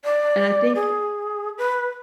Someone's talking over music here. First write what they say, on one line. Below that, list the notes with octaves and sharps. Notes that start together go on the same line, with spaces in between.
and I think
D5
G#4
B4